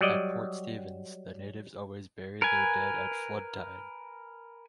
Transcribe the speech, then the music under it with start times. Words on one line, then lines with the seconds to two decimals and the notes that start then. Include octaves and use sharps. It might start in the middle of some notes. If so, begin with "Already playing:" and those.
At Port Stephens, the natives always buried their dead at flood tide.
0.01 F#3 G3 D5 D#5
2.42 A#4 B4 G#5